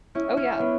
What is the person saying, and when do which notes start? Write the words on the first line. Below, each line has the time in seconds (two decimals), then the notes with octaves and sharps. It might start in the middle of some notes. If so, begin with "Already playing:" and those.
Oh, yeah,
0.15 C#4 E4
0.37 C#4 E4
0.59 B3 D4